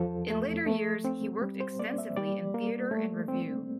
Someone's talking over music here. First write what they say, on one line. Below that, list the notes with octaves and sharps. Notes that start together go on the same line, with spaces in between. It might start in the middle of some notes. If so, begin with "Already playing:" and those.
In later years he worked extensively in theatre and revue.
Already playing: E2 F3 A4
A3
A3
C4
G3
C5
A#3 D5
E5
G3 D5
A#3
A3
C4